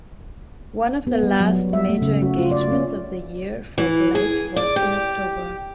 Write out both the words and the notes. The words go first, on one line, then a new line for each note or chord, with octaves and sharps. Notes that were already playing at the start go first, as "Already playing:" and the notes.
One of the last major engagements of the year for Blake was in October.
B3
G3
F#3
F#4
E5
A3
C#3
F#4
F4
D5
C#4
E3
G#4
D5
G4